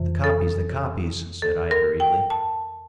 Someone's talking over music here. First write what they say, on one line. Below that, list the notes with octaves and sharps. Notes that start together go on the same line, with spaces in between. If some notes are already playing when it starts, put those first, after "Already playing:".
"The copies, the copies," said I hurriedly.
Already playing: F2 C3 E3
A4
A4
A#4
G5
A5